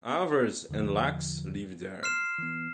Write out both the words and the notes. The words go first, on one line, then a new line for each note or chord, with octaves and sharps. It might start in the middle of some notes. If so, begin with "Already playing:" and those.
Avars and Laks live there.
E2 D3 F3
C6 F6 C7 E7
E3 B3